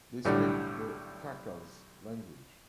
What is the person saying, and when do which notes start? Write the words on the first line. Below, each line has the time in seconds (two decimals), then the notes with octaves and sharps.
They speak the Khakas language.
0.25 B1 A2 D3 G3